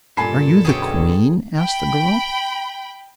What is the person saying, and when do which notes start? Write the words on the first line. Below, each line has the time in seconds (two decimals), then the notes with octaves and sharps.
"Are you the Queen?" asked the girl.
0.17 G2 A#2 G3 A4 G#5 B5 C7
0.65 F#2 B2 D3 G#4 C#5 G5
1.58 G5 B5